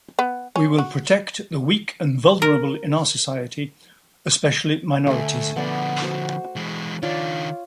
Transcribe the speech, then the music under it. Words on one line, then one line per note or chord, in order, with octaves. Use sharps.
We will protect the weak and vulnerable in our society, especially minorities.
B3
C#4
F#4
A#4
D2 A3 G#5
D3 F3 B3 D5
F#4 C5
E3 G#3
D#3 D4 F4 C#5 D5